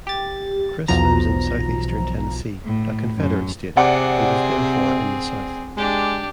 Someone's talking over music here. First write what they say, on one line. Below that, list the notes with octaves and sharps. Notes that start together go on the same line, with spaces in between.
Chris lives in southeastern Tennessee, a Confederate state, and is therefore in the South.
G4 A6
B1 E2 B2 F3 A#5
A2
F#2
C3 C4 G#4 D5 F#5
G#3 D4 G4